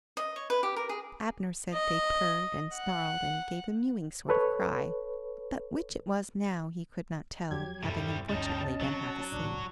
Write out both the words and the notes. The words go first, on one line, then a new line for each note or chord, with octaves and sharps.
Abner said they purred and snarled and gave a mewing sort of cry; but which it was now he could not tell, having unfortunately been half asleep.
D#5
C#5
B4
G4
A#4
G#4
D#5
F#5
A4 B4 C#5
F2 F#3 G4 G#6
E1 G2 C3 G3 C#4 E4 A4
D2 G2 G3 C#4 D#4 D#5 A5
A#1 F#3 C4
G#1 C#2 A2 D4